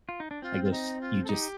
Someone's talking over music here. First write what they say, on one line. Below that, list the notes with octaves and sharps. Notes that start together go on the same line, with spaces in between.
I guess you just
F4
D#4
D4
C4 F4
F4
D#4
F4
A4
D#4 G4